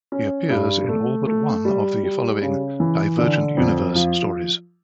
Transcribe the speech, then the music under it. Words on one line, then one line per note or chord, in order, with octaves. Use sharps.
He appears in all but one of the following Divergent Universe stories.
C#4
G2
A3
A3
G3
G3
C#3
E3
D3
F2
F3